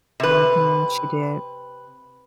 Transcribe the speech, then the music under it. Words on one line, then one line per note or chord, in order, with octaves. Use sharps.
Mhm. She did.
C3 B4